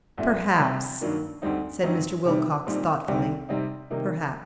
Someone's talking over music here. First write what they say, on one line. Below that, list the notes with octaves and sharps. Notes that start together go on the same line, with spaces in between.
"Perhaps," said Mr. Wilcox thoughtfully--"perhaps."
C2 A#2 A3
C3 G3 C4
G2 D#3 F#3 A#3 D4
D2 D3 G3 C4 D#4
G2 F#3 C4 D#4
C3 D#3 G3
A#2 G3 C4 D#4
C2 C3 D#3 G3 C4
C3 G3 C4 D#4
C3 D#3 G3 A#3 D#4